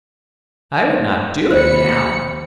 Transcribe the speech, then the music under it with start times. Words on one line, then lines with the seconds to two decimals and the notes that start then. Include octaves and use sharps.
I would not do it now.
1.51 D#2 C5 B5 C#7